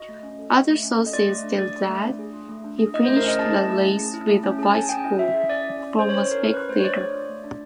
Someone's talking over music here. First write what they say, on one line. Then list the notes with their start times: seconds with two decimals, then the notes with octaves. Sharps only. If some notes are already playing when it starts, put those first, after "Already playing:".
Other sources tell that he finished the race with a bicycle from a spectator.
Already playing: F#4 D#5
0.09 A3
0.23 C#4
0.39 A4
0.53 F#4
0.69 A3
0.84 C#4
0.99 A4
1.06 D#5
1.13 F4 D5
1.29 A3
1.43 D4
1.58 G#4 D5
1.74 F4
1.88 A3
2.04 D4
2.19 G#4
2.33 F4
2.49 A3
2.64 D4
2.78 G#4
2.94 E4 D#5
3.05 A3 C5
3.16 A#4
3.23 C#4 D#5
3.39 G#4 A5
3.54 E4
3.69 A3
3.84 C#4
3.99 G#4
4.14 E4
4.29 A3
4.44 C#4
4.59 G#4 A5
4.74 G#4 G#5
4.89 C#4 G5
5.04 E4
5.19 C#4 E5
5.34 G#4
5.49 C#4 D5
5.64 E4
5.79 C#4
5.94 G#4
5.99 C5
6.09 C#4 C#5
6.24 E4
6.31 A#4
6.39 C#4
6.54 F4 B4
6.69 A3 C5
6.79 C#5
6.84 D4 D5
6.99 G#4 D5
7.14 F4
7.29 A3
7.44 D4